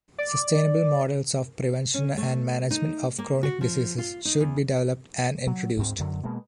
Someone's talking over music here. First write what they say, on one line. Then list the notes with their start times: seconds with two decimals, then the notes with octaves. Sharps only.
Sustainable models of prevention and management of chronic diseases should be developed and introduced.
0.18 D5
1.94 C#4
2.17 A3
2.71 D#4
3.18 A#3
3.43 F#4
3.61 F3
3.98 F4
4.25 D#4
4.40 E2
5.47 F#3
5.76 D2 G#2 C4
5.99 F#2 D3 F#3
6.23 B2 G#3 A#3